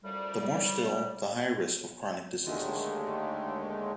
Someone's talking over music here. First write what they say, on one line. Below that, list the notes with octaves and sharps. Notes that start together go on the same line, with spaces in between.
The more still, the higher risk of chronic diseases.
F#2 A2 F3 G3
D#2 D3 D#3 G#3 A3